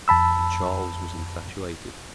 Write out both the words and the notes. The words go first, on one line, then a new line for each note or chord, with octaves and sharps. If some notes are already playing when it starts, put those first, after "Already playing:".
But Charles was infatuated.
F2 A5 B5 E6